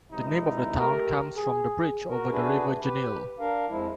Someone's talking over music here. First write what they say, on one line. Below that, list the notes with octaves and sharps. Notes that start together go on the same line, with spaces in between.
The name of the town comes from the bridge over the river Genil.
G#1 G2 C3 G#3 D#4 E4
A3 G4 A#4
G#4
F#4 A#4
A3 D4 F#4 G#4 B4
G4 B4
D4 A#4 F5
F2 F3 G#3 E4